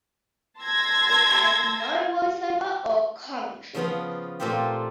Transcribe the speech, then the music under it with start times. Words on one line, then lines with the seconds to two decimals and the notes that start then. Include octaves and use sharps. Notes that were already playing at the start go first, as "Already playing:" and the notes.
It has no voiceover or commentary.
0.61 A5 C6 E6 G#6 A#6
3.75 C#3 F3 B3 F4
4.40 A#2 A3 C4 F4 G4